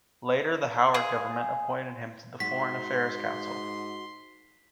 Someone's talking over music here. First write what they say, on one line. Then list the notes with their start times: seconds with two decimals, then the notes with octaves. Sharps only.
Later, the Howard government appointed him to the Foreign Affairs Council.
0.94 G#4 F5
2.40 G#2 F#4 C6 B6